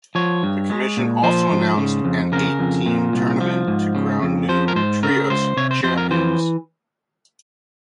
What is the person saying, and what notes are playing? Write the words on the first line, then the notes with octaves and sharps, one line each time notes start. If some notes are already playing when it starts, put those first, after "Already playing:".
The Commission also announced an eight team tournament to crown new trios champions.
F3 C#5
G2
G#3
A#2
F3 C5
G#2
C#3
F2
C#3 A#4
F2
A#2
C2
F3
G#2
C#3
F2
F3 C5
A#4
G#2 C5
C#3 A#4
C#2 C5
C3 C#5
C5
F2 C5
A#4
E3 C5